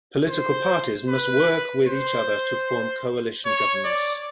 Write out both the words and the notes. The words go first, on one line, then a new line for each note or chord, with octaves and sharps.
Political parties must work with each other to form coalition governments.
C5
B4
C5
C#5
D5